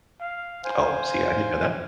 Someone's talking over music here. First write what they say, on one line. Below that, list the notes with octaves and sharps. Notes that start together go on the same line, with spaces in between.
Oh, see, I didn't know that.
F5
C5 F5 G#5